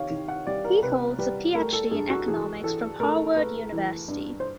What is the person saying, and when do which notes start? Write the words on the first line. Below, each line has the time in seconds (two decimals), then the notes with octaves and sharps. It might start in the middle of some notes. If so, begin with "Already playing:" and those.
He holds a Ph.D. in economics from Harvard University.
Already playing: C3 D#3 C#5 F5
0.10 D#3
0.28 F#5
0.47 G3 D5
0.64 A#4
0.82 C3 B4
1.19 G3 B4
1.55 A3 A#4
1.73 A4
1.91 G2 G#4
2.09 F#4
2.28 E3 G#4
2.63 E3 A4
3.00 A3 A#4
3.36 A3 B4
3.72 E3
4.08 G2
4.40 C5